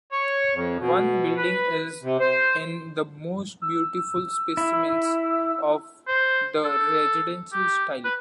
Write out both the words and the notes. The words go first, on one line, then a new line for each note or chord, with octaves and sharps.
One building is in the most beautiful specimens of the residential style.
C#5
F2
B2
B4
C3
C5
E6
E4
C5
A4
G4
B4